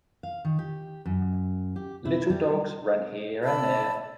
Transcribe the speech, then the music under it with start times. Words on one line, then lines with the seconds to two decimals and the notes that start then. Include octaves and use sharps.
Little dogs ran here and there.
0.23 F5
0.45 D#3
0.59 G4
1.06 F#2
1.76 G4
2.05 E4
2.30 G3
3.44 D5 A5 B5 E6